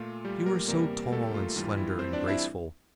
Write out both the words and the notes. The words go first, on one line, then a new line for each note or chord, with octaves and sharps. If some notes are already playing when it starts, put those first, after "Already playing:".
You are so tall and slender and graceful.
Already playing: A#2 A3 F4
G3 G4
A#3 A#4
E2 C3 G3 A#3 A#4
A3 A4
F4
G2 E3 G3 F4
E4
C4 C5
D4 D5
E4 E5